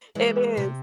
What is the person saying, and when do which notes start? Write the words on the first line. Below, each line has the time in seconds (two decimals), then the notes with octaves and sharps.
it is.
0.15 E3 G#3
0.57 C3